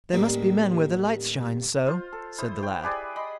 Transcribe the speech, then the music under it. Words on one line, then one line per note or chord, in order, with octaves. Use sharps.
There must be men where the lights shine so', said the lad.
A1 D#2 G3 A#3 G#4
F4 C5
A4
E4 C5 D#6
G5
G4 G#4 B4 D5
D#5 B5 C6